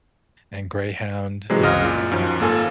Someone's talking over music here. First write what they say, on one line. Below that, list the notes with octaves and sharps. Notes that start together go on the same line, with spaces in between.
and Greyhound and, uh,
C3 E3 F#3 G#3 C4
C#2 D#5 F6
A#2
F#2 D#3 F3
G#1 A#3 F4 A4 G#5